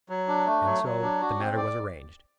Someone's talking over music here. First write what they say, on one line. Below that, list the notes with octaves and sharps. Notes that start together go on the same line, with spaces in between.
And so the matter was arranged.
F#3
D4
A3
F#3
F#3
D4
F#4
C4
D5